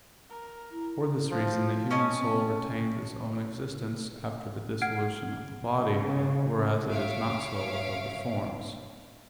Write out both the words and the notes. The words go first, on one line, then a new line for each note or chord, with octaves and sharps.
For this reason the human soul retains its own existence after the dissolution of the body; whereas it is not so with other forms.
A#4
E4
F3
C#4 D#5 G#5 A5
F#5 F6 G#6 C7 D7
C#3
C#5 E5 F5 D7